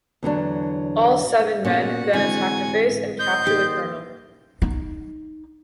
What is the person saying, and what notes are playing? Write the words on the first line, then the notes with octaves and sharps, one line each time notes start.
All seven men then attack the base and capture the colonel.
E2 D3 F#3 D4
A#2 A#3 B3 C#4 F#4 F#5
D3 E3 G#3 C4 G#5
C5 D#5 G6
D#3 A#3 G4
D#4